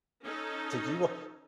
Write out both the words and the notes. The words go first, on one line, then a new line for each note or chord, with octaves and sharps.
Did you w
C#4 D#4 A4